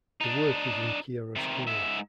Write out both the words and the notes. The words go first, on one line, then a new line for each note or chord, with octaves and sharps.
The work is in chiaroscuro.
D4 D#4
C3 D#3
G#2 E5